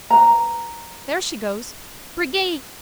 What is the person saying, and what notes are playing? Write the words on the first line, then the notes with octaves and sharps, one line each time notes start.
There she goes. Brigade!
B4 A#5